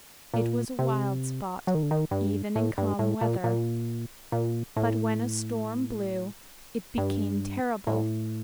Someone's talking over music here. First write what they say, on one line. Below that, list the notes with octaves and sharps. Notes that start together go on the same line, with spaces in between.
It was a wild spot, even in calm weather, but when a storm blew it became terrible.
A#2
C3
F#3
D#3
D3
D#3
G2
A2
G2
A2
A#2
A#2
A#2
A2
G2
A2